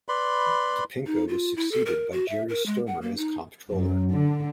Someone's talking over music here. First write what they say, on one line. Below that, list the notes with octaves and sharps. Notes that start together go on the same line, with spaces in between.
Topinka was succeeded by Jerry Stermer as comptroller.
B4 D5 B5 C6
D#4
F4
E4
A4
A#4
F#4
E5
A#4
G#3
F#5
A#3
D#4
F#2
D3